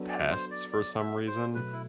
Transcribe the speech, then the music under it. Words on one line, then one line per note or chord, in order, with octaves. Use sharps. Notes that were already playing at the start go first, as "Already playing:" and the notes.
pests for some reason.
Already playing: F#3 B3 D4 A4
D5
C5
D5
D5
E5
C5
B2 F#3 A3 B4
E4